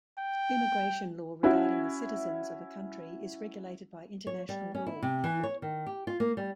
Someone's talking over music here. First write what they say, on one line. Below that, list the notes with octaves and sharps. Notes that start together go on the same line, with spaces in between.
Immigration law regarding the citizens of a country is regulated by international law.
G5
C#4 E4 F#4
C#5
G3
C#4
E4
C3
E3
C#5
D#3
G4
F4
A#3
G3